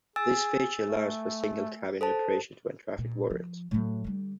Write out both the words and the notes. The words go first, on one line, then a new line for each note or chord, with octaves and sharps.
This feature allows for single cabin operation when traffic warrants.
G#4 G#5 E6 A6
A3
A4 C5 A5
A#2
F3
A2 F#3
D3 G3